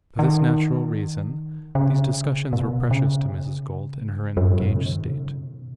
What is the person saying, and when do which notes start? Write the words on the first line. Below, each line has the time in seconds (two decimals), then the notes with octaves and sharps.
For this natural reason these discussions were precious to Mrs. Gould in her engaged state.
0.19 D#3
1.75 C#3
2.53 B2
2.91 C#3
4.37 F#2
4.49 G#2
4.62 B2
4.73 C#3
4.85 D#3
5.11 C#3
5.37 B2